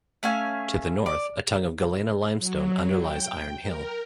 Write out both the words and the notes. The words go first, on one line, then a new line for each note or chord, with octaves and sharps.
To the north, a tongue of Galena Limestone underlies Iron Hill.
A3 C#4 F5 G#5
D5
F#3
G5
A#4